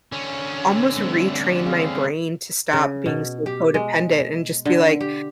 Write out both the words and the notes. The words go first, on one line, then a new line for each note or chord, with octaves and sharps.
almost retrain my brain to stop being so codependent and just be like,
D3 C#4
G3 A3 C4
C4 G#4 F5
C#3
B2
G4
G#3
D3
G4